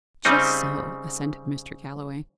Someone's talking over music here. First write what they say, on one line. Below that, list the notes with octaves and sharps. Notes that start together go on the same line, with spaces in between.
"Just so," assented Mr. Galloway.
C#3 G3 C4 D#4